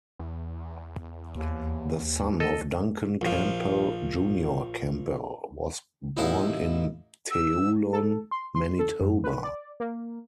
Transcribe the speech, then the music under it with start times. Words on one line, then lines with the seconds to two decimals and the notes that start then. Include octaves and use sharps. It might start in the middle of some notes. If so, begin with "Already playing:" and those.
The son of Duncan Campbell Junior Campbell was born in Teulon, Manitoba.
0.19 E2
1.35 D#2
2.40 A4 D#5
3.21 A#1 F3
6.17 A1 D#4 E4 A4 F5 F#5
7.31 E6
7.93 A4
8.31 C6
8.55 C6
8.79 A4
9.00 F#2
9.24 B4
9.44 D5
9.80 A#3